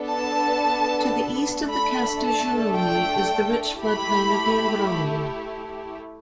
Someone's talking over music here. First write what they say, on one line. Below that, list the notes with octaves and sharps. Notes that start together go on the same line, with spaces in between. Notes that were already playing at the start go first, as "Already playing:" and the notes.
To the East of Castiglione is the rich floodplain of the Ombrone.
Already playing: B3 D4 A4
A5
A3 D4 A4 B5
A5
G5
A3 E4 G4 B5